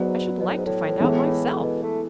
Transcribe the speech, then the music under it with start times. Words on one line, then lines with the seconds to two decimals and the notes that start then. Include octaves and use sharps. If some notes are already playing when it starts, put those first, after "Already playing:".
"I should like to find out myself."
Already playing: G#2 F#3 B3 F#4 B4 D5
0.39 B2
0.48 A2
0.57 G#2
0.66 A2
1.00 E3 G#3 B3 E4 A4
1.62 B2
1.83 A3